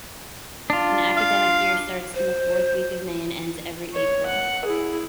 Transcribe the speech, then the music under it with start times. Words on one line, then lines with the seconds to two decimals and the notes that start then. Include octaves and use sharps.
An academic year starts in the fourth week of May and ends every April.
0.70 D4 F4
1.17 F5
2.14 C5
3.93 C#5
4.26 F#5
4.65 E4 G#4